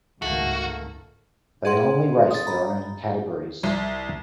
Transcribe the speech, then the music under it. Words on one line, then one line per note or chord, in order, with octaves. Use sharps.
They only race their own categories.
G#1 C#2 D#3 A3 A#3 F#4
G#4 F#5 C6
D#6 A6
A#5 B5
C2